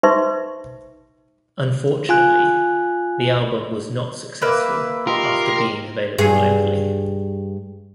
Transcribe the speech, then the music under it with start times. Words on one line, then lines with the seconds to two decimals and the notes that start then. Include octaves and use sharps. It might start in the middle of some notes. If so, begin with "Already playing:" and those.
Unfortunately, the album was not successful after being available locally.
0.03 D#4 B4 C5 E5 C6 C#6
2.09 F4 G#5 F#6
4.42 A#3 B4 E5
5.07 F4 G4 A#4 D#5 C6
6.18 G2 G#4